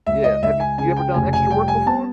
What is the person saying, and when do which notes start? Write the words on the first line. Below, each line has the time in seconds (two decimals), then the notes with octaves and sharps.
Yeah, have you you ever done extra work before?
0.07 C#2 E5
0.24 D#5
0.42 C#2 E5
0.60 G#5
0.78 C#3 G#5
0.97 G5
1.14 F1 G#5
1.33 G#5
1.50 G3 G5
1.68 G#5
1.86 B3 A5